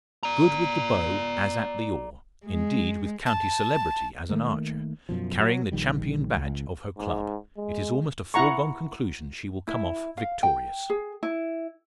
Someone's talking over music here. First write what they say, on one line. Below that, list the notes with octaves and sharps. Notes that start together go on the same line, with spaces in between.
Good with the bow, as at the oar--indeed with county celebrity as an archer--carrying the champion badge of her club--it is almost a foregone conclusion she will come off victorious.
D5 A#5
G#3
A5
D#3 A3 A#3
F#2 B2 F3
F#3
A#1 D#3 G3
C#2
G#2
G#3
E4 F#5 A#5 C#6
E4
F5
G5
G#4
E4